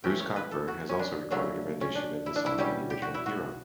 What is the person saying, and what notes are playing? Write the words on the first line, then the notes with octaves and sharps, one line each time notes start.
Bruce Cockburn has also recorded a rendition of the song in the original Huron.
E3 A3 C#4 G4
C#5
B4
A4
F#4
C#4
D4
C#3 F#3 A3 C#4 D4
C#4
D4
E4
D4
E4
B2 G3 C#4 G4
G4
F#4
E4
F#4